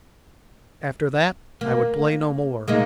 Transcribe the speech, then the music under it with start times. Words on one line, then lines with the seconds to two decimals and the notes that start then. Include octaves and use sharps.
After that I would play no more.
1.61 A#3
2.68 G#3 A#3 D#4